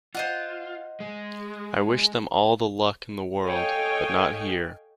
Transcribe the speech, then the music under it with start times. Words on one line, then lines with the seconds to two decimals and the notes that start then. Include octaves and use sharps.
I wish them all the luck in the world, but not here...
0.15 F4 C5 D#5 F#5
1.00 G#3
3.46 A4 C#5 D#5 F5 G5 G#5